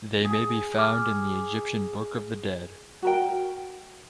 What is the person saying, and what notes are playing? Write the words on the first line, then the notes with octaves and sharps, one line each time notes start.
They may be found in the Egyptian book of the dead.
G#4
D6 F6
F#4 A#4 G5